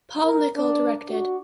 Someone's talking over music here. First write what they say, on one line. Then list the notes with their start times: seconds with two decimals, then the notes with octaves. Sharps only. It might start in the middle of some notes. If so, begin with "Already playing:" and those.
Paul Nickell directed.
0.24 A#4
0.56 D4
1.09 F#4